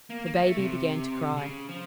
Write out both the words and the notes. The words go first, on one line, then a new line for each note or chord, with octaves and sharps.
The baby began to cry.
A#3
A#3
A3
C3
C#3
F3